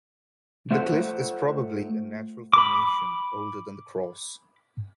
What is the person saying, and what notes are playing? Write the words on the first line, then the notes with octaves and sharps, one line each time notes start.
The cliff is probably a natural formation, older than the cross.
A3 F4 C5 E5 F#5
B5 D6